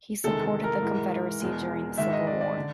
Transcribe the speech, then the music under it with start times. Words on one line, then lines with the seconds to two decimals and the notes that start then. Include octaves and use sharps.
He supported the Confederacy during the Civil War.
0.24 E2 C3 D#3 G#3 A4
0.43 A4
0.64 A#4
0.82 G#2 E3 G#3
1.40 E2 B2 G#3
1.98 G#2 D#3 G#3 E5
2.13 D#5
2.27 D5
2.41 D5
2.57 D3